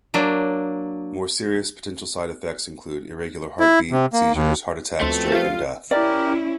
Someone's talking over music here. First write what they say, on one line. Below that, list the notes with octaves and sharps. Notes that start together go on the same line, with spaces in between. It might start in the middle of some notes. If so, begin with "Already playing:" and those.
More serious potential side effects include irregular heartbeat, seizures, heart attack, stroke, and death.
F#3 A#3 D4
E4
C3
A#3
D#2
D2 B2 F3 A3 C4 A4 C6 C#7
F2 G3 F4 G4 A#4 E5
C#4 E4 G4 A#4 D5